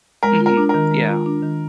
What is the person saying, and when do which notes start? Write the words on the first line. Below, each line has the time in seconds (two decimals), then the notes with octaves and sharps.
Mhm. Yeah.
0.23 G#3 A#4
0.41 F4
0.46 A#4
0.57 D4
0.69 A#4
0.74 D#3
0.91 G#3
1.09 F4
1.26 D4
1.43 D#3